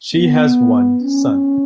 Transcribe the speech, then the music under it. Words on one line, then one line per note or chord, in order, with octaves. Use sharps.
She has one son.
B3
C#4